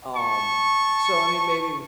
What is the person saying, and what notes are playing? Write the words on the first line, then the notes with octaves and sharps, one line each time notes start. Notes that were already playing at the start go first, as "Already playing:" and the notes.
Um, so I mean, maybe
A5 C#6